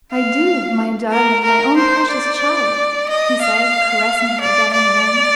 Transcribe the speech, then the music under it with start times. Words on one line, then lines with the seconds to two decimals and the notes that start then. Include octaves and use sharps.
"I do, my darling, my own precious child," he said, caressing her again and again.
0.12 F5
1.12 A#4
1.44 A#4
1.77 C5
2.10 D5
3.09 D#5
3.42 F5
4.41 D5
4.73 D5